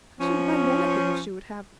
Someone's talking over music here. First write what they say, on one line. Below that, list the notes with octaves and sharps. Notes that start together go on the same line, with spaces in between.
I shouldn't mind anything if she would have me.
F3 C#4